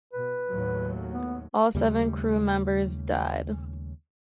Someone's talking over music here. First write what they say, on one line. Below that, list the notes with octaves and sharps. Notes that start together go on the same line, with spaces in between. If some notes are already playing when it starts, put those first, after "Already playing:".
All seven crew members died.
B2 B4
D#2 A2 F#3
B3
D#2 C#3 G3 A3